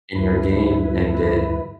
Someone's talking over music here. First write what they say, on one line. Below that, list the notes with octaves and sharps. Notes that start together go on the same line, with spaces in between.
in your game, and it
D2 G2 E4 B4